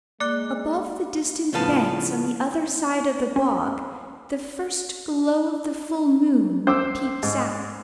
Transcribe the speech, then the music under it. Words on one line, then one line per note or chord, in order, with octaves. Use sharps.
Above the distant banks on the other side of the bog, the first glow of the full moon peeps out.
G#3 A#3 D5 D6 F#6
A2 C#3 F3 B3 F5 A5
C#4
C#4 C5 D6 E6
G#2